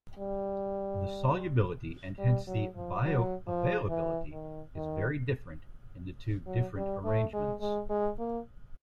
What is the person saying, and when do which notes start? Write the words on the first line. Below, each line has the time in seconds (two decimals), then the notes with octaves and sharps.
The solubility and hence the bioavailability is very different in the two different arrangements.
0.18 G3
2.19 G3
2.47 F#3
2.76 F3
3.05 F#3
3.47 F3
3.89 E3
4.32 D#3
4.76 D#3
6.47 F#3
6.76 G3
7.05 A3
7.33 G#3
7.61 G#3
7.90 G#3
8.19 A#3